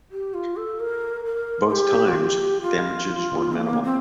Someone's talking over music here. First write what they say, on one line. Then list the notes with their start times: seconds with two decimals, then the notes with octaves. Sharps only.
Both times, damages were minimal.
0.11 G4
0.34 F4
0.56 A4
0.80 A#4
1.25 A#4
1.71 G4
2.09 F4
2.16 G4
2.62 F4
3.53 A#3
3.83 C4